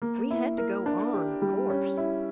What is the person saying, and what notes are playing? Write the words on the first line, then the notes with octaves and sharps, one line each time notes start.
We had to go on, of course.
A#3
E4
A#4
D4
G4
G3
C#4
E4